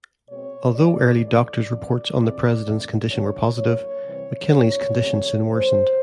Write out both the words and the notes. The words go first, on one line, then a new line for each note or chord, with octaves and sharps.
Although early doctor's reports on the President's condition were positive, McKinley's condition soon worsened.
B2 G#3 C4 C#5
G2 E3 G3 A#3 D5
C#3 E3 A3 D5
F2 D3 F3
F2 C3 E3 G#3 C4
C3 E3 A3
D3 F#3 B3 D4 C#5
A2 F#3 A#3 C#5
C3 E3 G3 C4
F2 C3 F3 A#3 D4 C#5
C3 D#3 F#3 A3 C#4
C#3 E3 A3 C5